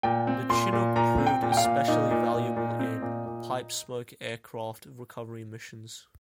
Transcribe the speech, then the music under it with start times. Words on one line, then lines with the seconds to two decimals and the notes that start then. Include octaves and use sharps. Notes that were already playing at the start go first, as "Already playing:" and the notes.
The Chinook proved especially valuable in "Pipe Smoke" aircraft recovery missions.
0.03 A#2 G5
0.27 C4
0.49 A#2 C6
0.73 A#2
0.96 A#2 A#5
1.18 C4
1.26 G5
1.42 A#2
1.52 G5
1.57 F5
1.64 A#2
1.88 A#2 D#4
2.11 A#2
2.34 A#2
2.56 A#2
2.79 C4
3.02 A#2
3.26 A#2